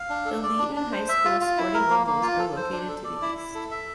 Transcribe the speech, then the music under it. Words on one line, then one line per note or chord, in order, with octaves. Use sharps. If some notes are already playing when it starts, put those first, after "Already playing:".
The Leeton High School sporting ovals are located to the east.
Already playing: F5
D4
A4
D5
D4
D4
C5
E5
F4
F4
E4
A#4
A#3
A#3
F4
A4
C5
D4
A4
D5
E4
E4
A4
E5